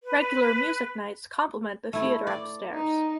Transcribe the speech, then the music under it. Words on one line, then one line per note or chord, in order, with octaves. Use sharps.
Regular music nights complement the theatre upstairs.
B4
A3 E4
D5
D#4